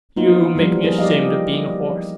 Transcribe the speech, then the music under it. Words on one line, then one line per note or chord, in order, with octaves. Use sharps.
You make me ashamed of being a horse.
A#3 B3 D#4 F4
E3 F3 G3
G#4 A#4
G4 D5 D#5 F5